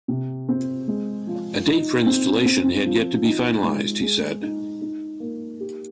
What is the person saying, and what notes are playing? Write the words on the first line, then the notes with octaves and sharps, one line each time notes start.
A date for installation had yet to be finalized, he said.
C3
C4
G#3
F3
D#4
C4
C4
F3
D#4
G#3
G#4
D#4
D#4
A#3
G4